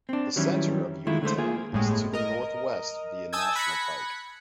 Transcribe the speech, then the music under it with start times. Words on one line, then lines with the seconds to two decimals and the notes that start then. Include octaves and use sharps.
The center of Uniontown is to the northwest via National Pike.
0.09 C4 D4
0.36 D#3 E3 F#3 G3 C#4 E4
1.07 D#3 G#3 A3 E4 F4
1.22 D3 G#3 A3 C5
1.38 A#3 F4 G#4
1.73 G1 A2 G#3
2.13 A#4 D#5
3.33 G#5 A5 D#6 E6 G6 G#6
3.56 B5 F#6 G#6 A#6 B6 C#7